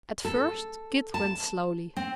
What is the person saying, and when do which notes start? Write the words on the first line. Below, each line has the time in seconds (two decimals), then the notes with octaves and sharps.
At first Kit went slowly.
0.25 A4
1.14 A5
1.97 C4